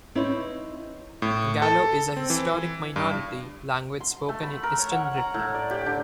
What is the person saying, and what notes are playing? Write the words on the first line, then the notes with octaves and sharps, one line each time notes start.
Gallo is a historic minority language spoken in eastern Brittany.
C4 D#4 E4 B4 C#5
A2
A4
C4
E3
G2
C6
A3
B5
A#4
C#5
F#5
A#5
A2
D5
G4
D3